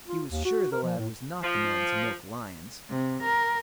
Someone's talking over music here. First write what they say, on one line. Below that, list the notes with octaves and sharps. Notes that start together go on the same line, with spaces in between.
He was sure the lad was not the man to milk lions.
F4
D#2
F#4
A#4
F3
A2
F3
C3
A#4